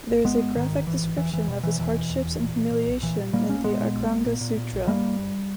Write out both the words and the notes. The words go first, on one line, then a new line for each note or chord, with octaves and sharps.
There is a graphic description of his hardships and humiliation in the "Acharanga Sutra".
G#1
G#1 G#3 B3
G#1
G#2 D#3
G#1
G#1 E3
G#1
E1 E3
E1 E3
B2
B2 E3
E1 E3
B2
E2
E1
A#2
A#2
A#2
B1
A#2 E3
A#2
A#2 G3 A#3
B1 A#3 C#4
A#2 G#3 B3
A#2
A#1
A#1
A#2
A#2
A#2
A#1
G2 G3 A#3
G1
G2